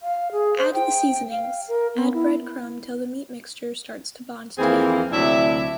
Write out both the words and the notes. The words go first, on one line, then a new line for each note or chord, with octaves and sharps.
Add the seasonings. add bread crumb till the meat mixture starts to bond together.
F5
G#4
C5
G5
F5
A#4
B3
E4
F2 E3 A#3 C4 G#4 F5
D2 C3 F#3 D4 E4 E5